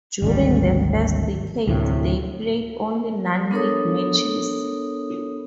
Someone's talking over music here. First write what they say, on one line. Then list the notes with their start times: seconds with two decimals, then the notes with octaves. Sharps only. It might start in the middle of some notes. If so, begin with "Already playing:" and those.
During the first decades, they played only non-league matches.
0.22 G#1 D2 G3
1.67 D2 A2 C3
3.51 B3 D4 A4 A#4 C#5 D#6